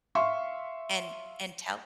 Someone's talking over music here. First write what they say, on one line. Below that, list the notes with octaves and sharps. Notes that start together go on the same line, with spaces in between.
and and tell
E5 F5 C6 C#6